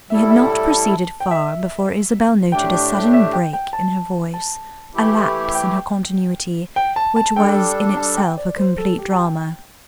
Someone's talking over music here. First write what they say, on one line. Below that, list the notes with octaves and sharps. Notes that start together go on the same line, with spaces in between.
She had not proceeded far before Isabel noted a sudden break in her voice, a lapse in her continuity, which was in itself a complete drama.
A2 G3 E4 A4 E5
E5
A5
A5
G5
E5
A2 A3 D4 G4 G5
E5
G5
G5
A5
A5
E3 A3 E4 G4
G5
G5
A5
A5
G3 D4 A4 G5
A5
G5
D5
C5
A4
G4
A5
G5